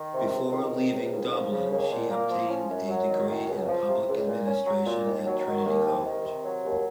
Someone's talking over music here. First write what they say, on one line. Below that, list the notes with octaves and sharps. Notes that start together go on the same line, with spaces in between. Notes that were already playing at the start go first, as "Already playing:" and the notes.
Before leaving Dublin she obtained a degree in public administration at Trinity College.
Already playing: D#3
C3
C#2
D#3
C3
C#2
D#2
F3
C#3
D#2
A#2
A#3
F3
C#4
F#2
F#3
D#3
F#2
C#2
F3
C3
C#2
A#2
C#4
F#3
A#2
D#2
F#3
D#3
D#2
C2
D#3
C3
F#3
D#2